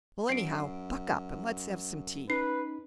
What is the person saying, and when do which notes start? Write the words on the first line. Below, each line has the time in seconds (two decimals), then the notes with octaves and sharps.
Well, anyhow, buck up, and let's have some tea.
0.29 F#2 C7 D7
2.30 C#4 D#4 B4 C7